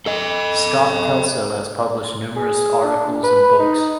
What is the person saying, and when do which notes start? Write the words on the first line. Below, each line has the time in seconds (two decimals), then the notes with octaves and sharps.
Scott Kelso has published numerous articles and books.
0.06 A4 D#5
2.36 G#4
2.83 D4
3.23 B4
3.59 D#4